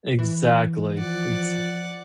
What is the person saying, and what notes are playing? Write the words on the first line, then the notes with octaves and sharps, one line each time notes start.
Exactly. Exa
E3
F3 D5 F#5